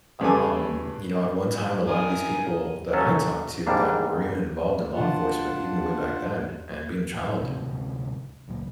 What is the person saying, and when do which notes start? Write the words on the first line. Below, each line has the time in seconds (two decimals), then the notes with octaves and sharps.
Um, you know, at one time, a lot of these people that I talked to that were even involved in law enforcement, even way back then, and being a child,
0.21 G2 C#3 A4 G#5 D6
1.88 E4 A#4 G#5 D#6
2.93 F#3 C#4 A4
3.67 G#2 G3 A#3 D4
4.94 D4 F4 F#5 A5
7.40 D2 G#2 C3
8.47 F#1 C#2